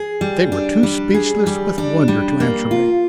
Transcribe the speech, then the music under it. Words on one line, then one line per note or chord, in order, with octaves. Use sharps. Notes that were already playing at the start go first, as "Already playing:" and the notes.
They were too speechless with wonder to answer me.
Already playing: G#4
G3
D4
G3
G#4
G3
D4
G3
A#3
F4